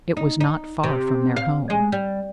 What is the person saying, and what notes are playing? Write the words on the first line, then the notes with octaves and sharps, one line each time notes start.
It was not far from their home.
D#4
D#4
C3
F5
G#3
G3